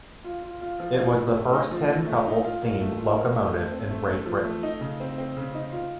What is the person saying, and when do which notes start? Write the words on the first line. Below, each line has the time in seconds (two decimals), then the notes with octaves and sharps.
It was the first ten-coupled steam locomotive in Great Britain.
0.24 F4
0.43 F4
0.61 F4
0.80 F3
0.98 F3
1.16 A2
1.35 A3
1.53 D#4
1.71 F3
1.89 A3
2.08 A3
2.26 D#4
2.44 F4
2.63 A#4
2.81 A3
2.99 F4
3.17 A#4
3.35 A3
3.54 A3
3.71 C4
3.90 A3
4.08 A3
4.26 F3
4.44 A3
4.63 D#4
4.81 C#3
5.00 C4
5.18 C4
5.37 C#3
5.55 D#4
5.72 F4